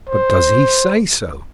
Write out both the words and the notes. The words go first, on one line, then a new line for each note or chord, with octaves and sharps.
"But does he say so?"
C5